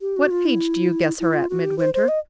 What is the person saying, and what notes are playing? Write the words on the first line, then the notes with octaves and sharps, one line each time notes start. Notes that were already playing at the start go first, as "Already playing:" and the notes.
What age do you guess her at, Midwinter?
G4
F#4
F4
E4
E4
F4
F#4
G4
C5
C5
D#5